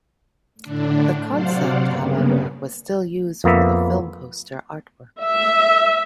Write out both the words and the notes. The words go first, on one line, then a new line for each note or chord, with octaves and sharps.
The concept, however, was still used for the film poster artwork.
A2 D3 D4
C3 F#3 C5 D5 F5 F#5
G2 C#3 A#3 B3
F2 A#3 B3 E5
E5